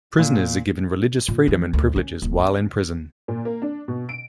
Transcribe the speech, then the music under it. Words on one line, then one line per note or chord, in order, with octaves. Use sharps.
Prisoners are given religious freedom and privileges while in prison.
A#2
A#2
E3
D2
C#4
D#1
C4
A#2
A#3
D4
B2
D7